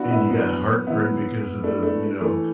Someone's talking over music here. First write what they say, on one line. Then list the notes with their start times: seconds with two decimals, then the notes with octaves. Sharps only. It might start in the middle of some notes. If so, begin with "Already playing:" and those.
And you got heartburn because of the, you know,
Already playing: B3 D4 E4 F#4
0.10 B3 E4
0.30 F#3 B3
0.87 B3 E4
1.64 A3 D4
1.82 A3 D4
2.20 E3 A3